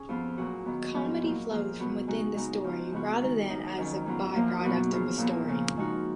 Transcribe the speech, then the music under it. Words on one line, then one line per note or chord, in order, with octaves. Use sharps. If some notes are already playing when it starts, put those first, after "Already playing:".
Comedy flows from within the story rather than as a by-product of story.
Already playing: C#4 G#4
F2 F3 B3 F4
A#2 F#3 C#4 F#4
D#3 F#3 B3
G#2 F3 B3
A#2 F#3 A#3
F3 A#3 F4 G#4
B2 F#3 B3 F#4
C#3 G#3 D#4 F#4
C#3 G#3 B3 D#4
F3 B3 F4
C#3 G#3 B3 F#4
D#3 G#3 D#4
F#2 D#3 G#3 D#4
F2 D#3 F#3 C#4
G#2 F#3 B3 F4
F#2 F3 A#3 F4
B2 F#3 B3 F#4
A#2 F3 B3 F4 G#4
A#2 F3 B3
C#3 F3 A#3
F3 G#3 D#4 F#4